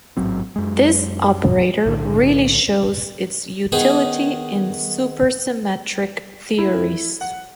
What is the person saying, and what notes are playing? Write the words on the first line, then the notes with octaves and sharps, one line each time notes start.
This operator really shows its utility in supersymmetric theories.
A1 G#2 F#3 C4
F#2 G#3
B1 A2 D3
D#3 B3 G#4
E4
F#5